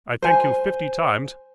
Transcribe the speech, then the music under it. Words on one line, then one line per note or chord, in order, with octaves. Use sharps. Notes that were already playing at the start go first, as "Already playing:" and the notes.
I thank you fifty times.
C5 G#5